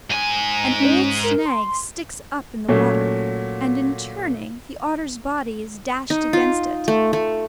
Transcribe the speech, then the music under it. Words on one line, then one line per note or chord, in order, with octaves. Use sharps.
An old snag sticks up in the water, and, in turning, the otter's body is dashed against it.
G#2 G#5
C#4
A#4
C6
A#2 F#3 A3 C#4
D#4
F4
A3
A3